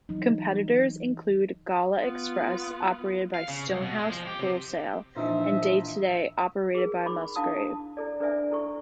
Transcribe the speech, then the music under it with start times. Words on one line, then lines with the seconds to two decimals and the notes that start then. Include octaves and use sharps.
Competitors include Gala Express operated by Stonehouse Wholesale, and Daytoday operated by Musgrave.
0.09 E3 F#3 D#4
1.98 B3 F4
3.34 F5
3.48 C#3
3.69 C2
3.82 B2
3.98 G#3
4.09 F3
4.27 G4
4.39 C3
5.16 A#2 E3 F3 D4 D#4 C5 E5
6.75 G#4 A#4
7.05 D#4 B5 C6 D6
7.36 D4 E4 F5 A5 D#6
7.97 E4 A4 D5
8.20 D4 A4 B4 D5 E5 G#5
8.51 E4 A4 C#6